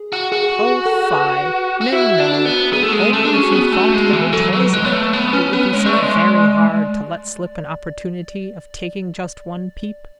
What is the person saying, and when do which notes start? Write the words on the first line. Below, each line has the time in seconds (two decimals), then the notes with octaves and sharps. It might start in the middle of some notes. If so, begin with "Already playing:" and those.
Oh, fie! No, no! Only, if you thought there were toys in it, it would be so very hard to let slip an opportunity of taking just one peep!
Already playing: G#4
0.13 F#4
0.32 F#4 G#4
0.59 G#4
0.86 A4
1.12 B4
1.81 F#4
1.92 E4 F#4
2.19 D4
2.32 F#4
2.45 B3
2.73 B3 G#4
2.83 A3
2.92 G#3
3.13 A3
3.24 D4
3.33 C#4
3.42 F#4
3.52 B3 G#4
3.72 A3
3.80 F#4
3.93 G#3
4.07 G#4
4.13 E3
4.33 F#3 A4
4.53 F#3
4.60 B4
4.73 G#3
4.85 B3 C#5
4.92 A3
5.13 B3
5.33 C#4 B4
5.53 B3 B4
5.73 G#3 C#5
5.86 A3
5.93 D5
6.00 G#3